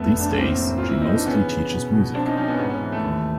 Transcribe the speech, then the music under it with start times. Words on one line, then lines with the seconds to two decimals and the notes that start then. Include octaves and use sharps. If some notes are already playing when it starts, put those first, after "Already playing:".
These days, she mostly teaches music.
Already playing: F1 A3 B3
0.15 F1 D4
0.30 C#4
0.37 A2 A#3 C4
0.61 A1
0.78 E3 F4
0.89 E4
1.01 E3 D#4
1.14 D4
1.26 C#3 B3 C#4
1.48 C#3
1.71 B2
1.93 B2
2.14 F3 C4 D4
2.25 C#4 D#4
2.36 F3 C#4 D#4
2.48 B3 C#4
2.58 G#2 B3 C#4
2.70 B3 C#4
2.81 E3
2.92 A3
3.03 D#2